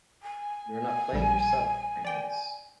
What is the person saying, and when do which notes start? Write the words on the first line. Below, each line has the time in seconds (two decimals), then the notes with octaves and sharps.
You are not playing yourself, I notice.
0.22 G#5
1.13 A#1 G3
2.05 D5 G5